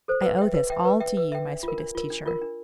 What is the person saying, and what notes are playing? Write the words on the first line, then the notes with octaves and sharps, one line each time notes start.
I owe this all to you, my sweetest teacher.
A4 C5
B4
E5 G5
B4
E5 G5
B4
E5 G5
B4
E5 G5
D4
F4 A#4
D4
F4 A#4
D4
F4 A#4
D4